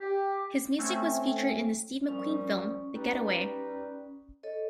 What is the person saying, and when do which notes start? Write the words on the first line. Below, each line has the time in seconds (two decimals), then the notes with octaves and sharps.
His music was featured in the Steve McQueen film "The Getaway".
0.01 G4
0.78 A3 C4 C#4
2.08 A#2 F3 G3 C#4
2.95 G3 D#4 B4
4.43 A4 C#5 D#5